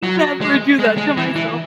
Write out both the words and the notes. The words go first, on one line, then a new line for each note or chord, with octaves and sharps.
Never do that to myself.
F#3
G#3
G#3
G#3
E3
E3